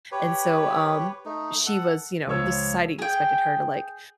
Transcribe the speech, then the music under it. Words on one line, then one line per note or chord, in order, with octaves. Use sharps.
And so, um, she was, you know the society expected her to, like,
G4 B4 C#5
A3 D#4
A4 F#5
C#2 F3 C#5 E6
G#4 G5